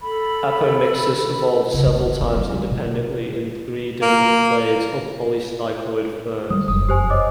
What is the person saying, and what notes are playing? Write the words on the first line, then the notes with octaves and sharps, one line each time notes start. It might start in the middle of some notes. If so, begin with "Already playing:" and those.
Apomixis evolved several times independently in three different clades of polystichoid ferns.
A4 B5
C#3
C4
E3
C4
F#3
G#3
B2
A#3
F#3 G3 D#6
F1 F#2 D#6
G4 C5 G#5
C#5 D#5 D6